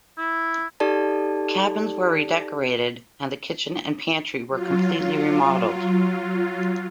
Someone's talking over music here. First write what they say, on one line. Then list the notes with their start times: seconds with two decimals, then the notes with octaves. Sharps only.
Cabins were redecorated, and the kitchen and pantry were completely remodeled.
0.18 E4
0.80 D#4 G4 A4 D5 A5
4.50 F#3 F4